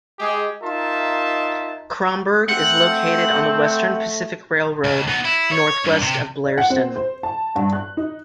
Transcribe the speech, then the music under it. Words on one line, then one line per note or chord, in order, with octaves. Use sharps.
Cromberg is located on the Western Pacific Railroad, northwest of Blairsden.
G#3 G4 G#4
D#4 F4 A#4 E5 A5 C6
A3 C4 F#5
C#2
B3 D#4
E4
C#5
G2
C3
D5
F#5
C4
C5
A5
G2
F#6
D#4